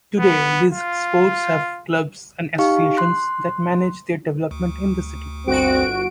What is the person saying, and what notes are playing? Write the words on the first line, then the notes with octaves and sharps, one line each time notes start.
Today, these sports have clubs and associations that manage their development in the city.
B3
F4
D#4 G4 F5 C#6
C6 F#6
D2
G1 C4 F#4 D7